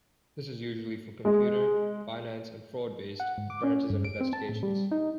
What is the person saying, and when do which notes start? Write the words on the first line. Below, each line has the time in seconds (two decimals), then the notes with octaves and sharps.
This is usually for computer, finance and fraud based branches and investigations.
1.25 G#3
3.20 F#5
3.38 G#2
3.50 D6
3.64 C#4
3.90 G2
4.05 D7
4.21 C4
4.33 A5
4.49 A2
4.63 G3
4.91 D#4